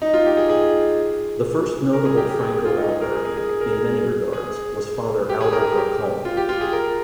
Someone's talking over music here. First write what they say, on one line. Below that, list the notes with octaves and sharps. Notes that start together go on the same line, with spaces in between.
The first notable Franco-Albertan, in many regards, was Father Albert Lacombe.
D#4
F4
G4
G#4
G#4
A#4
G#4
G4
G4
G#4
G4
F4
D#4
G#4
A#4
G#4
G#4
G#4
G#4
A#4
G#4
G#4
G4
G#4
A#4
G#4
G4
F4
G4
F4
G#4
A#4